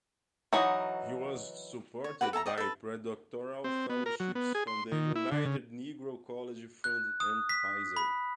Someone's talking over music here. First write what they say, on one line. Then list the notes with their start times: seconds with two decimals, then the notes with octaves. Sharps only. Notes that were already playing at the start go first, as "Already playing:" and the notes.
He was supported by predoctoral fellowships from the United Negro College Fund and Pfizer.
0.53 E3 F#3 D#4 F#5 C#6 D#6
2.04 C#5
2.21 F#4 G4 B4 F#5
2.33 A4 E5 A5 A#5
2.46 D5 D#5 G5
2.58 A4 B4
3.64 C4
3.90 B3
4.06 A#4
4.20 F#3
4.35 B3
4.55 G#4
4.67 C6
4.92 D#3
5.16 E4
5.32 D3
5.45 C#3
6.84 F#6
7.20 D#6
7.49 B6
7.97 B5